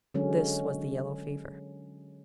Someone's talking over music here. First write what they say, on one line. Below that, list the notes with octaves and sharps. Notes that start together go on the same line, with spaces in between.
This was the Yellow Fever.
D3 F#3 G#3 C#4